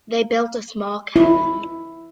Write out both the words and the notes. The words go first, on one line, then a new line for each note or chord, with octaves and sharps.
They built a small cabin.
E4